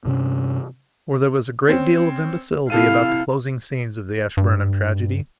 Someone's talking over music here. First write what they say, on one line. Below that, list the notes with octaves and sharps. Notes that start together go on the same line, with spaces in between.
For there was a great deal of imbecility about the closing scenes of the Ashburnham tragedy.
G2 C3 C#4
C4 C#4
C3 E4 A4 F5 D#7
G2